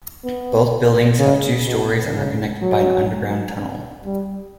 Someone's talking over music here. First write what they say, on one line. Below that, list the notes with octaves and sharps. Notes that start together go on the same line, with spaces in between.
Both buildings have two stories and are connected by an underground tunnel.
B3
C#3
B2
C#3
F#3
G3